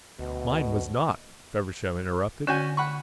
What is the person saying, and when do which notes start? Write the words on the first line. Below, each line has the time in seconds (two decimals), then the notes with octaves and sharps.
"Mine was not," Feversham interrupted.
0.19 D2 B2
2.47 D3 C#4 F#4 G#5 G6
2.77 F#5 B5 C#6